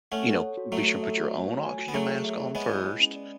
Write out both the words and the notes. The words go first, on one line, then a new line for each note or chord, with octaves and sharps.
you know, "Be sure to put your own oxygen mask on first,
A3 C#4 F#5
A4
C#5
F#4
F#3 A3 F#4
A4
E5
F#4
F#4
C#5
G#5
F#4
B3
F#3 A3 G#4
C#5
E5
G#4
G#3 B3 C#5
E4
G#4
C#4
D5